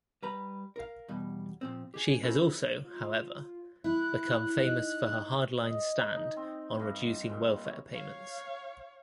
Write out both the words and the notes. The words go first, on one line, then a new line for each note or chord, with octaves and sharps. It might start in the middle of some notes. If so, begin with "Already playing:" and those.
She has also, however, become famous for her hardline stand on reducing welfare payments.
G3 B4 A#5 B5
A#4 F5
E2 B2 G3
A#2 F3 C4
G4 G#4
C#4 E4 F#4 A4 A#4 C5
F4
E4 F#6
D#4
D#5
D#4
C4
G2
A#2
C#5
C#5 F5